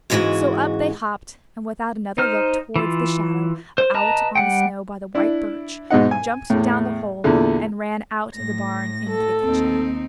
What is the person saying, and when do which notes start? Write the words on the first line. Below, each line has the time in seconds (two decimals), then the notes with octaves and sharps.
So up they hopped, and without another look towards the shadow out on the snow by the white birch, jumped down the hole, and ran out of the barn into the kitchen.
0.10 G#2 C#3 E3 G3 G#3 F#4
2.18 D#4 C5 F6
2.76 E3 F4
3.78 C5
3.94 B4 D#5 A5 A#5
4.35 G3 F#5 G5
5.15 D4 E4
5.90 G#2 B2 D#4 F#5
6.11 G#5
6.50 E2 A2
7.24 E2 A#2 D3
8.34 A2 A#6
9.09 A4
9.44 D#2 C4 D#4